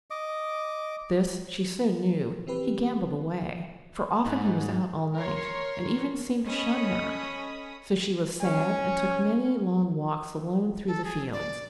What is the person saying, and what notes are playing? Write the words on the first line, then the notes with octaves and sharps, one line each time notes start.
This, she soon knew, he gambled away, for often he was out all night, and even seemed to shun her; so she was sad and took many long walks alone through the fields.
D#5 D6
E3 C4 G4 B4
G#2
A#4 C#5 C6
C#4 A4 C#5 D#5 B5 D#6
C#4 G#5
A4
G#4
D5